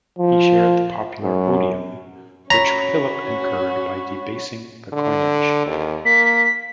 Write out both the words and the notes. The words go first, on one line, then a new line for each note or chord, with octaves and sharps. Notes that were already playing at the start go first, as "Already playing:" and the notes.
He shared the popular odium which Philip incurred by debasing the coinage.
F3
F#2
C#4 F#4 C#5 A#5 B5 B6
D3
D#2
A#3 B6